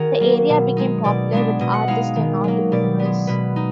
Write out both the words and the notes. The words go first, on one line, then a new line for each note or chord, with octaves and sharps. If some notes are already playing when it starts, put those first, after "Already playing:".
The area became popular with artists and entrepreneurs.
Already playing: D#3 F#4 G#4 A#4
F#3 A#3
B2
G#3 D#4
B2 D5
G#3 B3 D4
B2 D#5
F#5
G#3 D#4 F5
D#3
F#3 A#3
B2 D5
B3
G#3
B2 B4
D#4